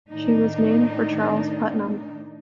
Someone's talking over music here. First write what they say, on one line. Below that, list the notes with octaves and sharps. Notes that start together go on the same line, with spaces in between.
She was named for Charles Putnam.
A2 D#3 D4 D#4